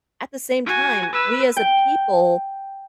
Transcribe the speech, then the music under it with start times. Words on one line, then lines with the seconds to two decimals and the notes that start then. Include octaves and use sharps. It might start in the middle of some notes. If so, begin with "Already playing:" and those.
at the same time, we as a people
0.66 F#4 G#5
1.12 B4 E6
1.57 G5